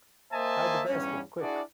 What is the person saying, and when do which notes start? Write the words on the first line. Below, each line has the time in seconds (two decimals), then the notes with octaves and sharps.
Hide the basket, quick!
0.33 A#3 C5 D#5 E5 G#5 A5
0.89 E2 G2 G3 C#4
1.40 D4 E4 F#4 G#4 D5